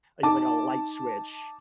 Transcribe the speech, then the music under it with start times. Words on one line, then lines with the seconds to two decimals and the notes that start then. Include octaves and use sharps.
I get, like, a light switch,
0.23 D#4 A5 D6